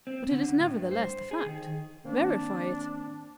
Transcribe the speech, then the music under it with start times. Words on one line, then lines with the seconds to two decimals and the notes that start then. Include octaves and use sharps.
But it is nevertheless the fact. Verify it.
0.07 C4
0.32 D3
0.60 A2
0.76 G2
0.91 C5
1.31 G#4
1.46 D#3
2.04 D#3 A#3 C4 D4